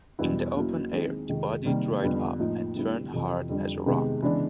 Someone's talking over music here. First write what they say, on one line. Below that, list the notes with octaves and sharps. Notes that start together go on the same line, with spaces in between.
In the open air the body dried up and turned hard as a rock.
E2 B2 G3 B3 E4
F#3 A#3 C#4 E4
D#3 G#3 C4 D#4 G#4
F2 C3 D#3 G#3
C3 D#3 G3 A#3
F2 D3 G3 B3
A2 F3 A#3 D#4
D3 G3 B3 E4 G4
F2 C3 E3
F2 D3 G3
C3 D#3 G#3 B3
C#3 E3 G#3 B3 D4